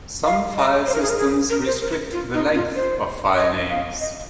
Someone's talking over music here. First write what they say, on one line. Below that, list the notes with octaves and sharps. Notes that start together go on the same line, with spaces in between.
Some filesystems restrict the length of filenames.
F5
D#5
C5
A#4
G#4
A#4
G#4
A#4
C5
A#4
F4
D#4
F4
C5
D#5
F5
D#5